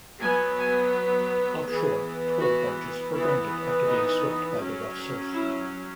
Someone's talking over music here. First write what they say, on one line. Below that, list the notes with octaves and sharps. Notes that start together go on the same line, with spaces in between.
Offshore, twelve barges were grounded after being swept by the rough surf.
F#3 B3 G#5
G#5
B4
E3 B3 G#4
F#4
E3 B3 E4
D#4
F#3 C#4
E4